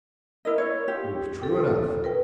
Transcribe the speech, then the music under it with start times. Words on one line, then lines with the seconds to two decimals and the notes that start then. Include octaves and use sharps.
It was true enough.
0.45 E4 A#4 D#5
0.58 C#5
0.88 F4 G4
1.41 A4 G5
2.04 A#4 B4 G5